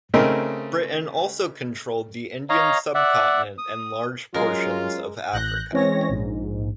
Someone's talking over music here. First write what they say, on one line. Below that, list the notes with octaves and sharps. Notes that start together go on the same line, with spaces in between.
Britain also controlled the Indian subcontinent and large portions of Africa.
C#3 A3 C4 D#4 A#4
C#5 D#5 F5 A#5
D5 E5 F#5
D#6
F#3 G#3 C#4 F4 A#4
A1 F#6 G6 A#6
E3 G#3 C4 C#4 C#5 A#6
A#1 G#2